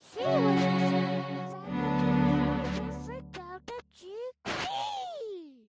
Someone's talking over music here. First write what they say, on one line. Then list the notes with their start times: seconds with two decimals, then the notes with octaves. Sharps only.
She was the founding faculty advisor for Delta Chi Xi.
0.18 C#3 F#3 C#4 F#4
1.66 D2 D3 F#3 B3 D4